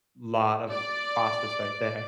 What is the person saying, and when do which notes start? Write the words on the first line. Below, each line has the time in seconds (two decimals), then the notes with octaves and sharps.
lot of a process right there.
0.71 D5